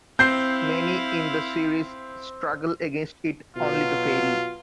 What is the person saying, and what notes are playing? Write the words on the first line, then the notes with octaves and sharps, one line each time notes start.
Many in the series struggle against it, only to fail.
C4 E4 C5 F5 G6 C7
B2 F#3 F4